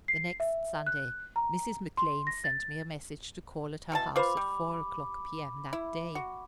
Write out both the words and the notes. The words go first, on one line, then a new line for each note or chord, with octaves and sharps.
The next Sunday Mrs. McClean sent me a message to call at her house at four o'clock P.M., that day.
C7
E5
F#6
A#5
C6
A#6
A6
B2 E3 A5
F4 B4 C5 B5 D6
G3
E4
F#4